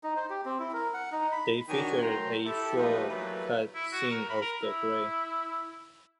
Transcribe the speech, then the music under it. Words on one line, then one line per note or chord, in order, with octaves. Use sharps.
They featured a short cut scene of the grave.
D#4
C5
G4
C4
E4
A#4
F#5
D#4
B5
D#3 D4 F#4 C#5 G#5 A#5
F#3 A3 A#4 G5 A#5 C6
E4 G4 A4
F3 G3 A3 D#4 B4
E3 F#3 G3 A3 A#3 B4
E4
F#4
A#4
B5
A#4
E4